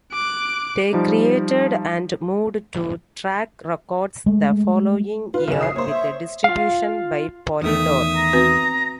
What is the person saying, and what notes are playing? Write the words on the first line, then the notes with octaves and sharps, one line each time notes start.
They created and moved to Track Records the following year with distribution by Polydor.
D6 F#6
F3 G3 D#4
G#3 A3
F4 B4
B1 C#3 E7
E5 D#6 C7
A#3 C5 C#5
E5
F4 F5
E2 D#3 A3 E5 D#6
A#5
C4 F#4 B4